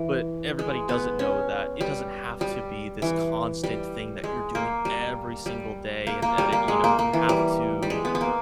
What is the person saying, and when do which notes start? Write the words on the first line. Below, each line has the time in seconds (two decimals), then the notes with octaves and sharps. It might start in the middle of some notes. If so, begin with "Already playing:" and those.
but everybody doesn't know that it doesn't have to be this constant thing that you're doing every single day and and that it you know, you have to
Already playing: E3
0.59 G#3
0.89 B3
1.19 C#4
1.81 G3
2.41 G3
3.02 E3
3.64 G3
4.24 G#3
4.55 A#3
4.85 G3
5.46 G3
6.07 A#3
6.22 A#3
6.38 G3
6.53 A#3
6.68 G#3
6.84 A#3
6.99 A#3
7.13 E3
7.29 G3
7.83 G3
7.90 G#3
8.05 B3
8.15 B3
8.21 A#3